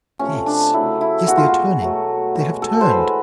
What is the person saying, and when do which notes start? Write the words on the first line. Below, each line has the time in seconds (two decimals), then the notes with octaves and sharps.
Yes, yes, they are turning--they have turned!
0.19 C3 F3 A3 C#4
0.46 D4
0.73 C#3 F#3 A3 E4
1.01 E4
1.27 B2 G#3 F#4
1.37 F4
1.48 F#4
1.82 B2 F#3 A3
2.35 B2 G#3 F#4
2.62 A4
2.81 C5
2.89 A2 E3 G#3 B4